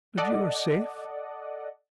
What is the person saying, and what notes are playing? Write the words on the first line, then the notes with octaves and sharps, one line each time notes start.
But you are--safe.
A4 D5 D#5 F#5